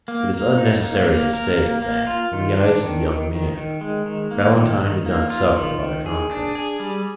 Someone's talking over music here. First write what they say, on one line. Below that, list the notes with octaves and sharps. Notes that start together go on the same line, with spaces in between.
It is unnecessary to state that, in the eyes of the young man, Valentine did not suffer by the contrast.
A#3
A#3
D#4
A#3
A#3
A#4
A#3
A#3
F4
D#3
D4
D#3
D#3
D#3
D#3
G#3
D#3
A#3
D#3
D#3
A#3
F4
D#3
D#3
G#4
D4
G#4
G3